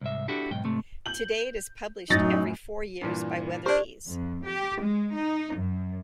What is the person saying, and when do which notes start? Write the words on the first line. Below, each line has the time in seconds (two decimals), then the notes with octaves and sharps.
Today it is published every four years by Weatherbys.
0.01 C2 G#2 E5
0.28 D4 E4 F#4 G4 A4
0.51 B1 G#2 G5
0.64 G#2 C3 A3
1.06 G6 F#7
2.10 F#2 A2 F#3 D#4 A6 A#6
3.01 G2 A#2 E3
3.66 D4 G4 A#4 C5 D5
4.08 F2
4.45 G4
4.81 G#3
5.15 D#4
5.56 F#2